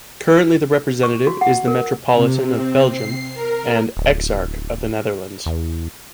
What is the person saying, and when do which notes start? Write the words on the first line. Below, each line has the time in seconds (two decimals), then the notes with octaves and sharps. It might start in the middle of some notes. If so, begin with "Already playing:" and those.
Currently the representative is the metropolitan of Belgium and exarch of the Netherlands.
1.03 C#6
1.27 F#4
1.41 F#5
1.68 A#4
2.16 C3
2.53 C4
2.90 C7
3.35 A#4
3.97 D1
5.46 E2